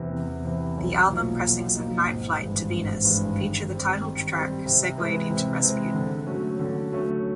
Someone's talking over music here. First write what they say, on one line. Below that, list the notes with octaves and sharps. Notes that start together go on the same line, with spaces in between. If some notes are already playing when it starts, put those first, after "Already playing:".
The album pressings of "Nightflight to Venus" feature the title track segued into "Rasputin".
Already playing: E2 C3 E3
E2
C3 E3
B1
A#2 F3 A#3 D#4
B1
A#2 F3 A#3 D#4
G#1
G2 E3 G#3
G#1
G2 E3 G#3
D#3
G3 C4
D#3
G3 C4
C3
E3 G#3 C4
C3
E3 G#3 C4
D3
F#3 A3 C#4
D3
F#3 A3 C#4